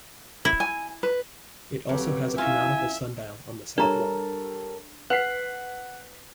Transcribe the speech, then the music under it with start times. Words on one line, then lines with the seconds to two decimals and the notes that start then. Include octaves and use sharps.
It also has a canonical sundial on the south wall.
0.45 E4
0.60 G#5
1.03 B4
1.89 F2 F#3 G4 B4 D6
2.38 C#4 E4 F4 E5 G#5
3.78 G3 D4 A4 A#4 C#5 A5 A#5
5.10 B4 F#5 F#6 B6 C7